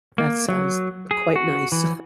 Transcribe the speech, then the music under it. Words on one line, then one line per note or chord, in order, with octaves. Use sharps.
That sounds quite nice.
A#3
F#3
G#4
F#4
E3